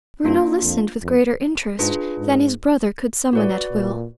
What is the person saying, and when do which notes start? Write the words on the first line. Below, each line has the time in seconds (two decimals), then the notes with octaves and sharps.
Bruno listened with greater interest than his brother could summon at will.
0.24 G2 A#3 D4 F4
0.63 F2
1.02 F2
1.79 G#2 D4 F4 G#4 B4
2.18 G#2
3.33 A2 F#4 B4 D5
3.72 A#2